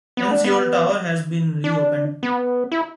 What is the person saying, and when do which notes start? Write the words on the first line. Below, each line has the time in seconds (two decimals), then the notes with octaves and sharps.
N Seoul Tower has been re-opened.
0.17 B3
0.31 D4
0.45 B3
1.64 D4
2.23 B3
2.72 E4